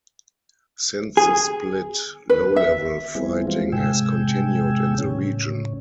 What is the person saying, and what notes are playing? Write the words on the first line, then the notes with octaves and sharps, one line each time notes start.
Since the split, low-level fighting has continued in the region.
G#4
B4
E5
G3 B3 C4 E4 G#4
E3 G#3 C4 F4
G#2 C3 G#3 G5 G#5 E6
A2 C#3 C#4